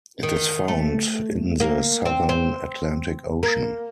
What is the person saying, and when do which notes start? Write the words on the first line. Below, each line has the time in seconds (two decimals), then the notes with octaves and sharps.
It is found in the southern Atlantic Ocean.
0.23 D#3
0.68 A3
1.60 A#3
2.05 C4
2.29 C4
3.43 A#3